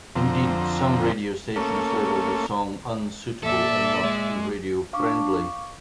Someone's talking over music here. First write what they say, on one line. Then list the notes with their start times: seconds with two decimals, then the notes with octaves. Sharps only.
Indeed, some radio stations labelled the song 'unsuitable' and not 'radio-friendly'.
0.15 F2 D3 F3 C4 A#5
1.56 A3 A#3 C#4 A4
3.43 A#2 A4 D5 E5
4.04 G#3
4.93 D4 F5 C#6 D6